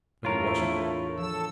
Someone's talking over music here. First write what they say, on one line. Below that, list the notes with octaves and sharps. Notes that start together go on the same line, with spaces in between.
But he wasn't.
E2 A2 A3 D4 E4 F4 A#4 C#5
F3 A4 E6